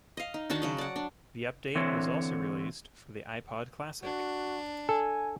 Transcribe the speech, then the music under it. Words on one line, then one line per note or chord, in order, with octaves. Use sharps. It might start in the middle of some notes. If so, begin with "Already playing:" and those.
The update was also released for the iPod Classic.
D#5 F5
D#4
D#3 D4 F#4 A5
C#3 F#3 D#5
D5 F#5
D4
D3 E3 C4 C#5
D4 F#4
A4 G#5